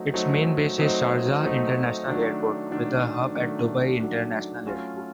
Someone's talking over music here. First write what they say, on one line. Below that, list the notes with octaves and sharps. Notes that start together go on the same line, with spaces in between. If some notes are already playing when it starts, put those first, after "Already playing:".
Its main base is Sharjah International Airport, with a hub at Dubai International Airport.
Already playing: F#3 A3 C4 D#4
F#3 A3 C4 D#4
F#3 A3 C4 D#4
F#3 A3 C4 D#4
D#3 F#3 A3 D4
D#3 F#3 A3 D4
D#3 F#3 A3 D4
D#3 F#3 A3 D4
F#3 A3 C#4 F4